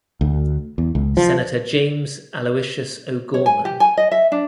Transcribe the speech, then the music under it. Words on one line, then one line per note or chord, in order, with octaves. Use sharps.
Senator James Aloysius O'Gorman.
D2
E2
C#2
F3
C#5
G#5
G4
G#5
D#5
E5
D4